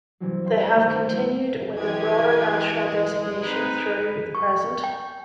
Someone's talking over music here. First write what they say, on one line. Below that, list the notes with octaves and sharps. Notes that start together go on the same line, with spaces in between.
They have continued with a broader national designation through the present.
G2 C3 E3 F#3
E5 F5 G5 C6 F6
G2 D#3 A3 A#3 C5
G3 E4
E3 G#3 G4 G#5 G#6
C4 D#4 B4
C#6
G5